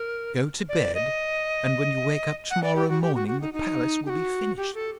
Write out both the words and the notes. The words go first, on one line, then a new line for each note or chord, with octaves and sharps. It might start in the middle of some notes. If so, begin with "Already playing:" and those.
Go to bed, and when you wake up to-morrow morning the palace will be finished.
Already playing: A#4
D5
D#5
F#5
D5
G4
F#4
G4
F#4
F#4
D#4
D#4
G4
F#4
G4
A4